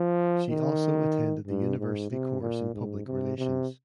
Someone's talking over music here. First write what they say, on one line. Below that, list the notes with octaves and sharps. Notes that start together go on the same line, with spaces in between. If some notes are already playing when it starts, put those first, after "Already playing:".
She also attended the university course in public relations.
Already playing: F3
D#3
G2
G#2
C3
A#2
G#2
C3
C3